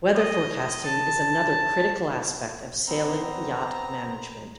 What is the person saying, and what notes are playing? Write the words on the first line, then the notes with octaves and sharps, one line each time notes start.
Weather forecasting is another critical aspect of sailing yacht management.
D#5
A5
B3 C4 A#5